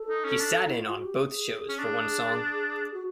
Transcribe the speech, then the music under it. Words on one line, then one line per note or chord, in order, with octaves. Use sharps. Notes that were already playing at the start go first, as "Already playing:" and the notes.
He sat in on both shows for one song.
Already playing: A4
D#4
C#4
D4
E4
F4
F#4
G4
G#4
C#4
D4
F#4